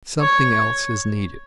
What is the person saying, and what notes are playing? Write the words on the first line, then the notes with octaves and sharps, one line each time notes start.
Something else is needed.
C#5